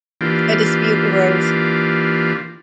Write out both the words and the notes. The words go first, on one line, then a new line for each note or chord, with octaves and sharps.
A dispute arose.
E3 A#3 D4 F4 G4